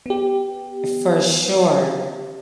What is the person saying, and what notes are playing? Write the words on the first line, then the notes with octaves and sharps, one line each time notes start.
For sure.
B3 G4